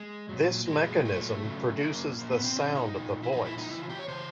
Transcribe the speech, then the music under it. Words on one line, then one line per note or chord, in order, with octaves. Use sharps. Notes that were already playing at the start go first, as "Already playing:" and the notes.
This mechanism produces the sound of the voice.
Already playing: G#3
A#2 F#3
A#2 F#3 G#3
A#2 F#3 A3
C#3 F#3
C#3 F#3 A#3
A#2 F3 A#3
B3
C4
A#2 F3 C#4
D#4
A#2 F3
E4
A#2 F3 D#4
E4
D#4
C#3 E3 E4
F4
G4
C#5
C#3 E3 C5